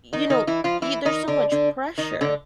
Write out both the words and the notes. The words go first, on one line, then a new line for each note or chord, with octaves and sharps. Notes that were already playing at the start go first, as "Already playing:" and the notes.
you know, y there's so much pressure
D#3 D#4
D#3 D#4
E3 E4
F3 F4
E3 E4
D#3 D#4
D3 D4
D3 D4
D#3 D#4
D3 D4